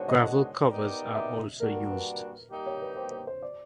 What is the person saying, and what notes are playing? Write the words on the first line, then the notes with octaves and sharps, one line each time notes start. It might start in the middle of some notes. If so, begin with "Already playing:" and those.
Gravel covers are also used.
Already playing: D#3 G#3 B3 D4 F#4 C5 C#5
D#5
B3 D#4 G4 A#4 D5
E5
G3 A#3 D4 F#4 A#4
A#4
B4
G3 A#3 D#4 G4
C#5
B4
C5
C5
C5
D5